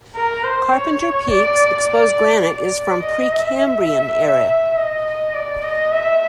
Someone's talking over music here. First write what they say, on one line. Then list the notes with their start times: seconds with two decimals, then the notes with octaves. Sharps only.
Carpenter Peak's exposed granite is from Precambrian era.
0.15 A#4
0.44 C5
0.73 C#5
1.30 D5
1.88 D5
2.45 D5
3.03 D#5
3.32 E5
4.77 D#5
5.34 D5
5.63 D#5
5.92 E5